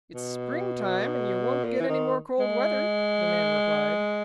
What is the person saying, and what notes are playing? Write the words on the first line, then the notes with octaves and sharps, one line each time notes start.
"It's springtime, and you won't get any more cold weather," the man replied.
B2
A#2
E3
D#3
G#3